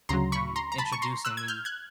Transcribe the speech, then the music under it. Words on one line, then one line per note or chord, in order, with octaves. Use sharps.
um, introducing me
D2 C#3 F#3 A#5 C6
B5 C#6
A#5 C6
A#5
A5 B5
C#6
A#5 C6
E6 F#6
G#6
F6 G6
F#6 G#6